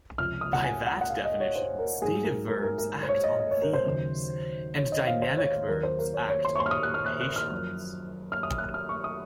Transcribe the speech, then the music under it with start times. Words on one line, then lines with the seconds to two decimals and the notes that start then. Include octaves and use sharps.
By that definition, stative verbs act on themes, and dynamic verbs act on patients.
0.18 C#2 C3 F3 F6
0.41 D#6
0.53 F#5
0.64 G#5
0.87 F#5
1.01 F#5
1.10 F5
1.25 D#5
1.40 C#5
1.56 C5
1.79 A#4
2.02 G#2 F#3 G#4
2.24 A#4
2.48 A#4
2.63 A#4
2.78 A#4
3.03 C5
3.09 C#5
3.24 D#5
3.40 D#5
3.51 C#5
3.62 A#4
3.73 C5
3.85 D#2 C#3 F#3
4.77 C#5
4.92 D#5
5.07 F5
5.22 C5
5.38 C#5
5.53 C#5
5.68 D#2 D#3 F#3 A#4
5.83 C5
5.99 A#4
6.14 C#5
6.30 C#5
6.45 C6
6.56 C#6
6.60 C6
6.66 F6
6.71 D#6
6.83 F#6
6.94 F6
7.06 F#6
7.21 F#6
7.36 F6
7.52 F#2 F3
8.32 F6
8.43 D#6
8.58 F#6
8.74 F6
8.89 C#6
9.04 D#6